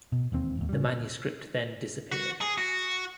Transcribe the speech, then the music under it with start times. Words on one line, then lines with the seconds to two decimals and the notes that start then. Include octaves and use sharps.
The manuscript then disappeared.
0.12 B2
0.32 E1 D#2 C4
0.57 G#1 D#2
0.69 C#3 G3
2.12 F#4
2.41 G#4
2.58 F#4